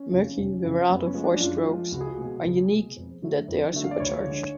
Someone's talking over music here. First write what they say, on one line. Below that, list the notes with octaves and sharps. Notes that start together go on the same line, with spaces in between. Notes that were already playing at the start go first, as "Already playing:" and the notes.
Mercury Verado four-strokes are unique in that they are supercharged.
Already playing: C#4
F2 C#3 F3
F1
F2 C#3 F3
F#2 B3
C#4
F3 G#3
D4
D4
F#2 F4
F3 G#3
C#2 F#4
G#4
F#4
B2 G#3
C#2 G#4
B2 G#3
F2
D3 F#3 A3
F2
D3 F#3 A3
F5
D5
D2 C#5
D3 G#3